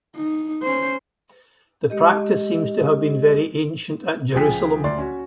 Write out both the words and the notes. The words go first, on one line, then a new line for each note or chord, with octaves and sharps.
The practice seems to have been very ancient at Jerusalem.
D#4
C#4 C5
G#3 G4 D#5
C#2 F3 G#4 G5 G#5 B6
D#1 D2 D5 C6
C#4 F#4